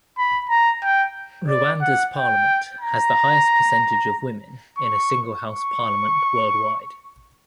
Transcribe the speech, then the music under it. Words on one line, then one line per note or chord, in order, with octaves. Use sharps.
Rwanda's parliament has the highest percentage of women in a single house parliament worldwide.
B5
A#5
G5
D5
F#5
G5
A#5
C#6
C#6